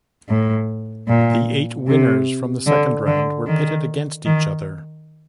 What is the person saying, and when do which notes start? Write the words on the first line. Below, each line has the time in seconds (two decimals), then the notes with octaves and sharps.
The eight winners from the second round were pitted against each other.
0.29 A2
1.08 A#2
1.87 C3
2.67 D3
3.06 D3
3.46 D#3
4.25 D#3